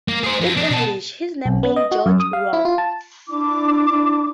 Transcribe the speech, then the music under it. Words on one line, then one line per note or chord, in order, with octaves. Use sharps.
In English, his name means George Rock.
A#3
G#4 C5
F2
D4 D#4
B2 A5
B1
B3
D#5
F#4
F#2
D#6
F5
E4
F4
A5
D4 E4 D6